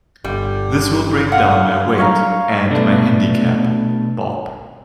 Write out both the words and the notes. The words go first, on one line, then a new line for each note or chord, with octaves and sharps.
This will bring down my weight and my handicap, Bob.
G1 D3 G3
F5 F#5
F#3 G3 D4 C#5 F5 A#5
B2 A3 D4